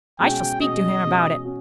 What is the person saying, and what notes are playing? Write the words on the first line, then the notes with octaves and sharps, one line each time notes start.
I shall speak to him about it.
B2 G#3 C#4 F#4 G5
B2 G#3 C#4 F#4 D#5
B2 G#3 C#4 F#4
C#4 F#4